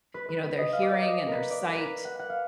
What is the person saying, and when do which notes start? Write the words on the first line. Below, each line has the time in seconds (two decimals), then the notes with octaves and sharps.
you know, their hearing and their sight
0.14 B4
0.29 B4
0.44 B4
0.58 D#5
0.73 F5
0.82 D5
0.93 D5
1.02 D#5
1.27 A#4
1.32 B4
1.51 D5
1.61 B4
1.68 A#4
1.75 B4
2.05 F#5
2.19 F#5
2.29 F5